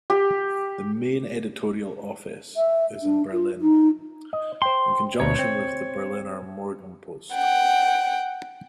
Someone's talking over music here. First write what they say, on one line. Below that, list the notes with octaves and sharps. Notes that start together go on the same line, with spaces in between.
The main editorial office is in Berlin, in conjunction with the "Berliner Morgenpost".
G4
E5
D4
F4
D#4
D#5
C5 G5 C6
D2 B2 C#5 A#5
C4
F#5 G5